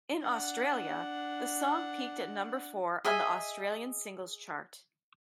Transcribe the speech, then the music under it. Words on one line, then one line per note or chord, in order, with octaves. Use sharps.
In Australia, the song peaked at number four on the Australian Singles Chart.
D4 F#5
G#4 D#5 E5 G#5